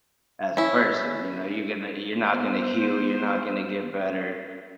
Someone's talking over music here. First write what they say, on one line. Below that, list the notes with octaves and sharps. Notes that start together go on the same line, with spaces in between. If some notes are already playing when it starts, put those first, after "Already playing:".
as a person, you know? You're gonna you're not gonna heal. You're not gonna get better.
C#4 E4
B3 C5